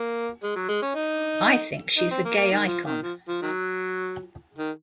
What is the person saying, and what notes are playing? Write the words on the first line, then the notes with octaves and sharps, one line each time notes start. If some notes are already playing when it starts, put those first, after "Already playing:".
I think she's a gay icon.
Already playing: A#3
G#3
F#3
G#3
C#4
D#4
D#4
C4
A#3
A#3
D#3
F3
D#3
F3
F3
D#3 F#3
D#3